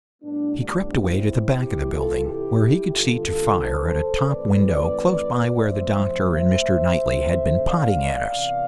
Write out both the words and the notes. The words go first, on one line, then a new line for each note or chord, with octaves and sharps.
He crept away to the back of the building, where he could see to fire at a top window close by where the doctor and Mr. Knightley had been potting at us.
A2 G3 B3 D4
D4
C4 E4
C3 E3 B3 E4 G4
F4 A4
E4 G4
D3 G3 B3 F4 A4
F4 A4
A4 C5
A2 E3 A3 C4 B4 D5
A2 F3 A3 C4 C5 E5
C5 E5
D3 A3 C4
D5 F5
C3 E3 B3